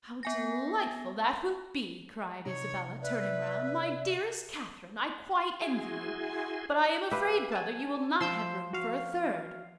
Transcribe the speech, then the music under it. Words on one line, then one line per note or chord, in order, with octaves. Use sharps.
"How delightful that will be!" cried Isabella, turning round; "my dearest Catherine, I quite envy you; but I am afraid, brother, you will not have room for a third."
B3 G#5 A#6
C3 D#4 C#5 A#5
B4 D5 E5
E4 F#4 G#4 G#5 C6
G4 B4 E5 F5
G#5 A5
F3 C6 E6 G6
F#4 F5